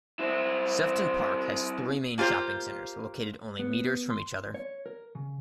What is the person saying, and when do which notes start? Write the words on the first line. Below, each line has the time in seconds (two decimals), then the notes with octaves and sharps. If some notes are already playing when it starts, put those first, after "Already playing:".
Sefton Park has three main shopping centres located only metres from each other.
0.19 C4 E4
2.18 A#3 F4 G4 C5
3.59 B3
4.10 C6
4.54 C#5
4.86 A#4
5.15 C#3